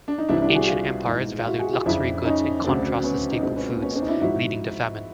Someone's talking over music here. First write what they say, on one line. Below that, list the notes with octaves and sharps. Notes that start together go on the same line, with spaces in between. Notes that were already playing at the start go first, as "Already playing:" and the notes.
Ancient empires valued luxury goods in contrast to staple foods, leading to famine.
D4
D#4
C2 C3 E3 D4 E4
D4 E4
G4
F#4 G#4
F4 G4
G#2 E3
F4
E4 F#4
F#4 G#4
F4 G4
F2 C#3 F3 D4 E4
C#4 D#4
D2 C#3 F#3 C4 D4
B3 C#4
D#4
C#2 B2 F#3 C4 D4
B3 C#4
A#3 C4
B3 C#4
C4 D4
D#4
D4 E4
G#2 F3 E4 F#4